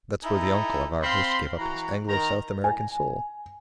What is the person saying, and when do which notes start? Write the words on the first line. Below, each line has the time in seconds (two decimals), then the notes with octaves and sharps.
That's where the uncle of our host gave up his Anglo-South-American soul.
0.24 D#4 E4 A4 G#5 A#5
1.03 C4 F5 B5 C6
1.59 E3 F#4 A#5
2.09 D#3 A#5
2.64 G#5